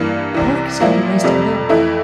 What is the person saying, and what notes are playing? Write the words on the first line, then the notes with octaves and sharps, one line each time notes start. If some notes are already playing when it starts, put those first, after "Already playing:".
The park has got a resting bench.
Already playing: G2 E3 A#3
C2 C3 E3
A#2 F3 A#3 E4
F2 C3 G3
F2 E3 A3 E4